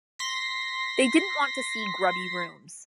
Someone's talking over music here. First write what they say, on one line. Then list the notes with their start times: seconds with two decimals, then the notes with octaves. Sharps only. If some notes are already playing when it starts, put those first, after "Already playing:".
They didn't want to see grubby rooms.
0.19 C6 A#6 B6